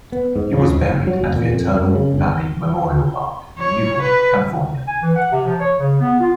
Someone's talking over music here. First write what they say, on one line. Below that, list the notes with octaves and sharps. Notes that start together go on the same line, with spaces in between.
He was buried at the Eternal Valley Memorial Park in Newhall, California.
B3
G#2
C#3
G#2
F#1
F#3
F1
A#2
F2
F#2
C#3
G1
C#5
B4
G#5
E3
F#5
C3
F3
C#5
C#3
B3
F4